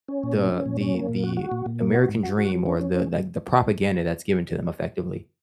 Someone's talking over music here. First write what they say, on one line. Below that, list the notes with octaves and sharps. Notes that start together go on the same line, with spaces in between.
the the the American dream or the, like, the propaganda that's given to them effectively
C#4
A#2
C#4
C#4
A#2
C#4
A#3
A#2
F#4
F#4
A#2
A#2
A#3
F#4
G#2
F#4
F#4
F#3
C#4
C#4
C#4